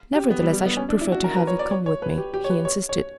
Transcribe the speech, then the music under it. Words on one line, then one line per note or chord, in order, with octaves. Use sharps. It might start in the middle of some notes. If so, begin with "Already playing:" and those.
"Nevertheless, I should prefer to have you come with me," he insisted.
G4
B3
G3
G3
B3
C#4
D4
E4
F#4
A#4
B4
C#5
D5
C#5
C#5
B4
G4
G4
C#5
B4
C#5
C#5